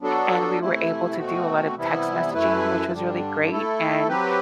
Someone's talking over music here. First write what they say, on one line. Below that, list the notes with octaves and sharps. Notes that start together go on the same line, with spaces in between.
And we were able to do a lot of text messaging, which was really great, and
F#3 B3 D4 F#4 A4
C3 E3 A3 E4
B2 A3 C4 F#4
C3 E3 G3 B3 E4
F#2 E3 A3 E4 B4
G2 D3 G3 D4
A3 E4 A4
F#3 C4 G4 B4